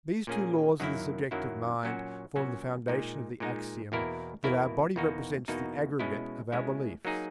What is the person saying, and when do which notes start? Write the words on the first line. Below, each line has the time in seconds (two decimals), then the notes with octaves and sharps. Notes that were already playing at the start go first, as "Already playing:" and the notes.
These two laws of the subjective mind form the foundation of the axiom that our body represents the aggregate of our beliefs.
0.27 A#2 A#3 C#4 G#4
0.80 F#2 D#3 F#3 A#3 E4
1.31 F#2 D#3 F#3 A#3 E4
1.83 A#2 F#3 C#4 F#4
2.36 A#2 F#3 C#4 F#4
2.88 A#2 G#3 D#4
3.40 A#2 G#3 D#4
3.92 E2 B2 A#3 E4 A#4
4.44 E2 B2 A#3 E4 A#4
4.96 E2 B2 A#3 D#4 F#4
5.48 E2 B2 A#3 D#4 F#4
5.99 B2 G#3 C#4 E4
6.52 B2 G#3 C#4 E4
7.05 F#3 A#3 D#4 G#4